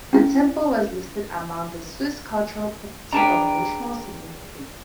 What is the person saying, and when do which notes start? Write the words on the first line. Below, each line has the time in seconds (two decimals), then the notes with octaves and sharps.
The temple was listed among the Swiss Cultural Property of National Significance.
0.13 C#4 E4
3.13 D4 G#4 B4 G5 A5 A#5